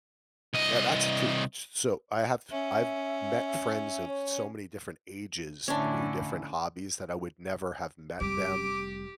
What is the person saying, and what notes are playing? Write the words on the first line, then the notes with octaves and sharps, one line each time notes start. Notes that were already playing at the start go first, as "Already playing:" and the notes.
Yeah, that's it, too, s so I have I've met friends of so many different ages through different hobbies that I would never have met them
C2 D#5
C#4 E5
C#5
A2 D3 C#4 D4 E4
F1 G3 G4 D6